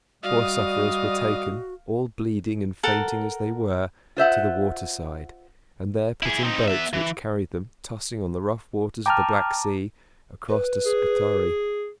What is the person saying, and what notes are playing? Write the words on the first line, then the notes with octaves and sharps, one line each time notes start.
The poor sufferers were taken, all bleeding and fainting as they were, to the water side, and there put in boats which carried them, tossing on the rough waters of the Black Sea, across to Scutari.
G3 F#4 D5 D#5 F5 D#6
A4 A#4 F#5
F4 C5 E5 F#5
E4 G#4
C4 D#4
B3 E5
E3
G5 A5 A#5 D6 F6
B4
G#4